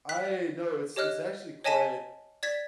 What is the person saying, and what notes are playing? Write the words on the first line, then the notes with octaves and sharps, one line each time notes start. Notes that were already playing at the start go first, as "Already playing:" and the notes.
I no, it's it's actually quite
F#6 B6
G4 C#5 D#5 F6 F#6
C#5 D#5 G#5 A5 B6 D#7
D5 G#6 A6 B6